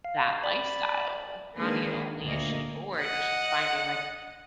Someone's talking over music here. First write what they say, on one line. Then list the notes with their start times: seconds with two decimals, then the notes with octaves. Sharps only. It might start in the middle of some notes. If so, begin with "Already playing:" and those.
that lifestyle. Not e only is she bored, but she's finding like,
0.05 F5
0.44 D5 B5
1.56 D#3 G#3 A#3 D4 G#4 B4
2.24 D2 A#2 A#3 D#5
2.98 D#5 F#5